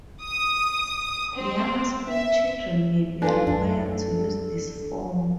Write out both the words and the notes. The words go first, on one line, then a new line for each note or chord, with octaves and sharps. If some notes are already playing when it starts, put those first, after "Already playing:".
Younger school children may be required to use this form.
D#6
C4
E5
D4 D#4 F4 A4 B4 G#5
F#2 D4